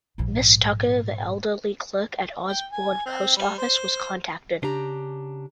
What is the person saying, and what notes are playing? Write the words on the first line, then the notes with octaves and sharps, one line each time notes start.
Miss Tucker, the elderly clerk at Osborne Post Office, was contacted.
A#1 G#2
G5
G#5
C4
G3
C5
C#3 D4 G4 A#5